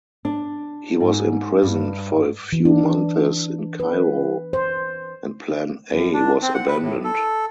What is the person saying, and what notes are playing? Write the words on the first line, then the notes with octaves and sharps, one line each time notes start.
He was imprisoned for a few months in Cairo and Plan A was abandoned.
D4
G#2
G2
E3
D4
B4
C5
F#2
D4
C4
F#5
B4
A2
A4